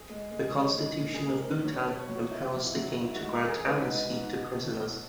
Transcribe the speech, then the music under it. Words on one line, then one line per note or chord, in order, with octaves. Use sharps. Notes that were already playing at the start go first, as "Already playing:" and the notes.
The Constitution of Bhutan empowers the King to grant amnesty to prisoners.
Already playing: G#4
G#3
G#3
G#3
G#3
A#2
G#4
G#3
A#4
A#2
B4
F#3 C#5
B4
B2
C#5
F#3
F#4
B2 E4
F#3
E4
F#3
G#2 E4
F#4
G#3
A#4
E3
G#4
G#2 B4
G#3
G#2
B2
B2
B2